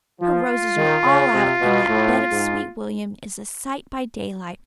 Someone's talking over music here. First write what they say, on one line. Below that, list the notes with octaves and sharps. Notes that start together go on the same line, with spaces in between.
"Her roses are all out and that bed of Sweet William is a sight by daylight."
F3 F4
D#3
C#3
C3
B2
A2
G#2